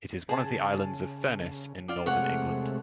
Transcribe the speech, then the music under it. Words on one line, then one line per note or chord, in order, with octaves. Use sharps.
It is one of the Islands of Furness in northern England.
C#3 G#4 A5
F4 D5
C3 G#3 A3 C#5 F#5